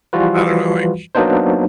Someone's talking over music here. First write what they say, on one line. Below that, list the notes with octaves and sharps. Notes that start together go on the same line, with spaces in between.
I don't know, like,
E3 F3 G3 F4 F#4 B4
F#3 A#3 B3 D4 D#4 C5